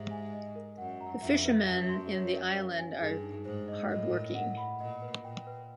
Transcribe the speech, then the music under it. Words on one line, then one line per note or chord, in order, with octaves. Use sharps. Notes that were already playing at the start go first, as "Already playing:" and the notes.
The fishermen in the island are hard working.
Already playing: G#2 G4 C5 E5
G#5
D#5
A#4
F#2 F#5
A#5
F2 E5
B4
F#2 A5
C6
C#5
A#4
F5
G#5
G2 G#4
D#4
G#2 C5
D#5
A2 D#5
A#4
F#5
B5
A#2 D#5
B4
A#2 G5
B4